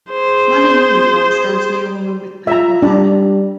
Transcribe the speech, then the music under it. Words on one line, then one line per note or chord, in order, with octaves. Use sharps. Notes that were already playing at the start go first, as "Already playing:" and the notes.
Man in uniform stands near woman with purple hair.
G#4 C5
F4 E5 A#5
G3 D4